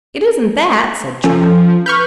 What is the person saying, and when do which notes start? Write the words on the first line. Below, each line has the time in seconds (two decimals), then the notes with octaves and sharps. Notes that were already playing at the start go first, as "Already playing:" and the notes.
"It isn't that," said Trot.
1.24 F3 C#4 A4
1.86 B4 C#6 F6 G6